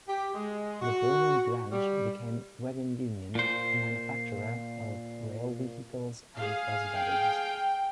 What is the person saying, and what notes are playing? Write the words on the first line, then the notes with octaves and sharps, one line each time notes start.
The Berlin branch became Waggon Union, a manufacturer of rail vehicles and bus bodies.
G4
G#3
F#4
G3
A#2 C5
G#4 F5
G5